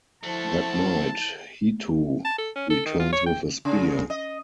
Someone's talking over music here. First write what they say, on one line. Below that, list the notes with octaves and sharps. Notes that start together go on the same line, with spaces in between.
That night, Hitu returns with a spear.
F3 A3 E4 F#4 A5
A5
A4
C#4
A4
D#3
F4
C#5
G5
C#3
D#5